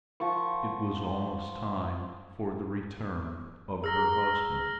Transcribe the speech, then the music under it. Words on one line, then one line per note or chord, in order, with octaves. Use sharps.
It was almost time for the return of her husband.
F3 F#5 C#6
G#4 A#5 E6 F6 A#6